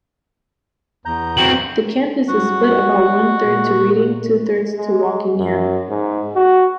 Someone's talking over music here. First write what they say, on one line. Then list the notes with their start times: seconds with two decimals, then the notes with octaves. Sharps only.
The campus is split about one third to Reading, two thirds to Wokingham.
1.05 E2 A#5 G6
1.37 F#3 C4 F#7
2.28 G2 F#3 G3 F#4 F#5
3.45 A#2
4.77 G#3
5.38 F#2
5.89 G#2
6.36 F#4